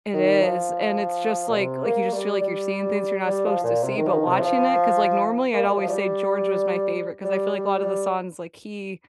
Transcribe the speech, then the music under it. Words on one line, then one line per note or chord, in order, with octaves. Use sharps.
It is, and, it's just, like like, you just feel like you're seeing things you're not supposed to see, but watching it. 'Cause, like, normally I'd always say George was my favorite, 'cause I feel like a lot of the songs, like he,
D#3
F3
A#2
C3
A#3
G3
G3
G3
F3
A#2
C3
D#3
F3
D#3
C3
F3
A#3
G3
F3
G3
G3
G3
G3